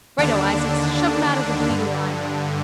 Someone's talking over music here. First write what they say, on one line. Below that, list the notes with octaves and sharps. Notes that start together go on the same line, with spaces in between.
Righto, Isaacs, shove em out of the bleeding limelight.
D#2 D3 D4
G2 D3